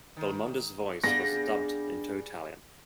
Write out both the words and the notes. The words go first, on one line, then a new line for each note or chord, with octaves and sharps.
Belmondo's voice was dubbed into Italian.
D#3
G3 B3 D4 G#4 F5 A#6